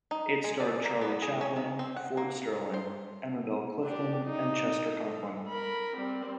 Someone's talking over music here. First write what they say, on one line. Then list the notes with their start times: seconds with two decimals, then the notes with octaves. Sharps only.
It starred Charlie Chaplin, Ford Sterling, Emma Bell Clifton, and Chester Conklin.
0.11 D#4
0.44 G#3
0.60 D5
0.85 A#3
1.01 B3
1.22 G#4
1.41 C#4
1.56 D#3
1.79 C4
1.96 F#5
2.17 A#3
2.74 C5
3.83 D4 G4
4.25 D#4
5.06 A4
5.48 A#4 B5
5.96 G3 C4